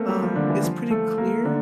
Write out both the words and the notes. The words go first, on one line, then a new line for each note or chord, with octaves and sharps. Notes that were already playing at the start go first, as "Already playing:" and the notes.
um, is pretty clear,
Already playing: A3 A#3 C4 A4 A#4
G3 G4
F3 F4
D3 D4
E3 E4
F3 F4
A3 A4
A#3 A#4
D3 D4